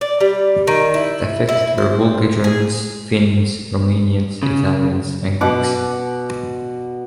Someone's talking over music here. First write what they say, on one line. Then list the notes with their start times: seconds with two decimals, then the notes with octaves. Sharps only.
The affected were Volga Germans, Finns, Romanians, Italians, and Greeks.
0.01 D5
0.20 G3
0.67 D#3
0.94 E4
1.49 E4
1.78 C5
2.44 G#4
4.43 C#3
5.41 B2 F#5 D6